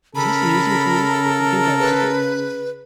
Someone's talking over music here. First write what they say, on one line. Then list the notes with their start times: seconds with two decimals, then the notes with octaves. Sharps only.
Is this amusing for me? You think I like it?
0.15 C#3 A4 A#4 B5
1.80 B4